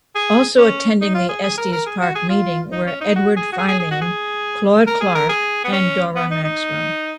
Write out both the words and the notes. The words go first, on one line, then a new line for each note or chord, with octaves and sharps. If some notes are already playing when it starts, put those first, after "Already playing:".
Also attending the Estes Park meeting were Edward Filene, Claude Clark, and Dora Maxwell.
G#4
C#4
D#4
F4
G#4
G#4
A#4
A#4
G#4
F#4
G#4
F4
D#4
C#4
D#4
F#4
G#4
F#4
G#4
G#4
G#4
F#4
G#4
A#4
G#4
A#4
G#4
B3
C#4
B3
D#4
D#4